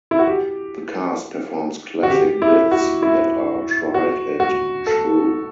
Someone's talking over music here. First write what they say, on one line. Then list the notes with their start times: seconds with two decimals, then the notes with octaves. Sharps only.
The cast performs classic bits that are tried and true.
0.11 E4
0.19 F#4
0.27 G4
2.03 F#4
2.10 G4
2.42 E4
2.71 F#4
3.02 E4
3.94 F#4
4.40 F#4
4.86 A4